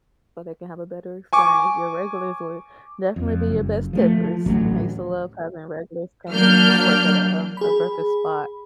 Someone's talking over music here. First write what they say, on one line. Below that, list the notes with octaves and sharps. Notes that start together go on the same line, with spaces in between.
so they can have a better experience. Your regulars would definitely be your best tippers. I used to love having regulars come in. I worked at a, um, a breakfast spot,
G#5 C#6 D6
F2
F#1
F3 G3 A3
F3
A1 D2 A2 F#3
F#3 A#3 D4 F6 G6
G#4 B5